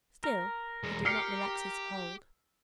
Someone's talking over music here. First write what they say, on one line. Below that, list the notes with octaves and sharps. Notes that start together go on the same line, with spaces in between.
Still he did not relax his hold.
A#4
E2 G#3
G4 F6 C7 C#7